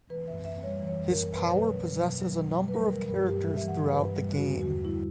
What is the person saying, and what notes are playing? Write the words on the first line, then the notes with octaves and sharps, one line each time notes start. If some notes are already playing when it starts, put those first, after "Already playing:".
His power possesses a number of characters throughout the game.
E3 B4
F#2 E5
F#2 E5
G3 C#5
E3
C#5
F#2
F#2 A#4
B2 B4
C#5
F#3 B4
B2
F#3
B2
F#3
B2
F#3
B4
G3 A#4
E3 A#4
G2 A#4
G2 G4
G3 E5
E3 E5
F#5
G2
B4
G2
G3
D3 F#4
E2
F#4
E2
G3 E4